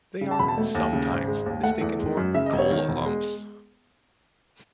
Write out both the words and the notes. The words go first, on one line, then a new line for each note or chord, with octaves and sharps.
They are sometimes mistaken for coal lumps.
C#3
A5
E1 B5
A5
A3
D#2
C#3
G#1
G#3
D#2
A3 F#5
E2
G#3
F#2
C#3 E5
D#5
E1
C#5
D#3
E1
G#3